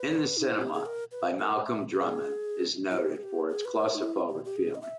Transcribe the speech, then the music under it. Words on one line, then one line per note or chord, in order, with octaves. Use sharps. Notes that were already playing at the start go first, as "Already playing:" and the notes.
"In the Cinema" by Malcolm Drummond is noted for its claustrophobic feeling.
Already playing: B4
D#4
E4
G4
G#4
A#4
B4
A#4
E5
G#4
E4
G4
G#4
G4
G#4
B4
A#4
D#4
E4
G4
G4
G#4
D#5
E5